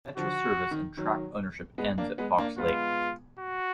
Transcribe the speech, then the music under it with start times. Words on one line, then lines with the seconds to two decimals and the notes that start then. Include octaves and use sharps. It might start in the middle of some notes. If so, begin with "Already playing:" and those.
Metra service and track ownership ends at Fox Lake.
0.17 D3 F3 F#4
0.71 D#3
0.97 D#3 F#3
1.78 G#3 B3
1.98 A#3 D4
2.18 G#3 B3
2.38 A#3 D4
2.58 G#3 B3 F4
3.39 F#4